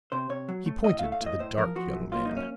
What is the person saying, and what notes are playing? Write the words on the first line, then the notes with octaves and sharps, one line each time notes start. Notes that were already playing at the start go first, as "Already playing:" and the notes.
He pointed to the dark young man.
C3 C5
C3 C#5
F#3
A3
A2 D#5
F5
A3
F5
A2
D#5
A2 C5
F3 A#4
F3 F#4
F#2
A#3 F4
D#4
F#2
C#4